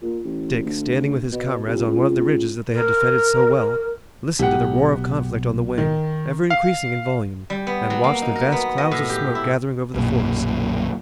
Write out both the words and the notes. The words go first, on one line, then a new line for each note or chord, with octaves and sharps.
Dick, standing with his comrades on one of the ridges that they had defended so well, listened to the roar of conflict on the wing, ever increasing in volume, and watched the vast clouds of smoke gathering over the forest.
A#2
A1
D2
B2
F1
C#2
A#4
B1 G4 F#5
D#3
F5
G3
B3
F#3
A#3
D#4
A#4
B3
D#5
A2
G4
E4
B1 F#2 A#2